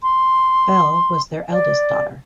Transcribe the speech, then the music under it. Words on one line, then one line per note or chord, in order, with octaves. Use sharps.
Bell was their eldest daughter.
C6
D5